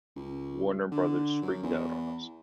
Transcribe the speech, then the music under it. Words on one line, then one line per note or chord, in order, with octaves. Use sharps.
Warner Brothers freaked out on us.
C#2
D3
F#2
E2